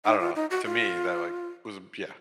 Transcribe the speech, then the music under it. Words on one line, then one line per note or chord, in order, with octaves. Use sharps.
I don't know, to me, that, like, was b yeah.
D#4
F4
D#4
F#4
F4